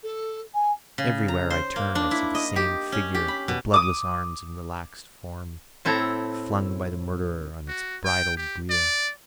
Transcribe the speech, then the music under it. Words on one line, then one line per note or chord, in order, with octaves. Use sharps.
Everywhere I turn I see the same figure--her bloodless arms and relaxed form flung by the murderer on its bridal bier.
A4
G#5
C#3
A#5
C5
A#3
D4
E4
D#5
G4
C#4
G4
B5
B2
D6 D#6
A2 C4 E4 A4 A#5
F#4
G5
G4
D5